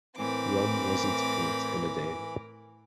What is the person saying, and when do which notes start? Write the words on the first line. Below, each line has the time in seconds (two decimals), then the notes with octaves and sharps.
Rome wasn't built in a day.
0.18 A2 E3 C4 A#4 B5 D6